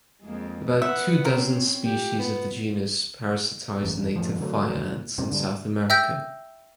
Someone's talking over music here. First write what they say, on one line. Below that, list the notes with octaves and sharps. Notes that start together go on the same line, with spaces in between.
About two dozen species of the genus parasitize native fire ants in South America.
F2 G#3 A#3
B3 E5 F#5
C4 C#4 A#4
F4 G4
B3
A1 F#2
F#2 A2 F3
D3 F#3 A3
B1 F#2 C3
D1 B1 G2 D3
E5 G5 E6 G6 A#6